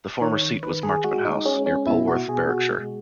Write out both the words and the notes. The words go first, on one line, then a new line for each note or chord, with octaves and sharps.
The former seat was Marchmont House, near Polwarth, Berwickshire.
D#3 C#5
D#3 B4
G#4
G#3 F#4
D#4
G#3 C#4
C#4
B2 E4
F#4
B2 G#4
F#4
G#3